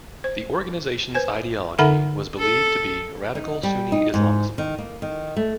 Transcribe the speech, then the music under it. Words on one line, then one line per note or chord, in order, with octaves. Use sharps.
The organization's ideology was believed to be radical Sunni Islamism.
C5
B4 C5 G#5
D3 D#4 A4 E5 F#5 B5
A4
D#4
G3
D#4
G#2
D#3
A#3
D#3
A3